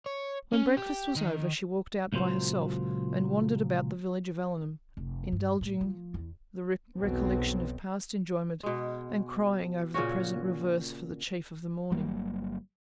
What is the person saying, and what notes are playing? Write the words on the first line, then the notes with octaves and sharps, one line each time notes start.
When breakfast was over she walked out by herself, and wandered about the village of Allenham, indulging the recollection of past enjoyment and crying over the present reverse for the chief of the morning.
C#5
C#4
G4
D#3
C#2 A#2 F#3 C5
F1
G2
A2
F3
E2
B1 E2 B2 F#3 B3 C4
B2 G#3
A#2 C#3 C#4 F#4
G1 F#3 G3 A#3